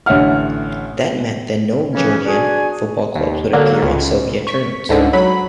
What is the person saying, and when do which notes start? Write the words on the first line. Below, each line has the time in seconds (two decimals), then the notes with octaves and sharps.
That meant that no Georgian football clubs would appear in Soviet tournaments.
0.06 A1 D3 C#5 E5 F#5 F6
1.94 C#3 E3 F3 C#4
2.26 D4 F#4 G#4 G#5
3.15 D#2
3.53 D3 F#3 A#3
3.82 C#2
4.47 C#6 B6
4.89 C#2 G#2 D3
5.13 F#3 B5 B6